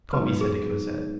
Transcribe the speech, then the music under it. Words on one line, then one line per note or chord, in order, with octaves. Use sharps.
"Come." he said to Cosette.
G#2 F#3 B3 B4
G#4